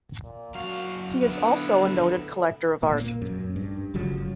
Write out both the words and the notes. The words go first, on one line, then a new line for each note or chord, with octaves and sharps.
He is also a noted collector of art.
A#2
F#2 F#4 F5
D3 B3 E4
A#2 A#3
F#2
G2
F#1 C#3 F3 F#3